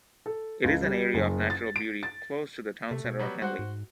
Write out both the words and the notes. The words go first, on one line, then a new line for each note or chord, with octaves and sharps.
It is an area of natural beauty close to the town centre of Henley.
A4
C#2
G3
F#1
A6
D7
A6
C3 A3
B2
F#3 G3 B3
G3 F#4 C5 F#5
G#2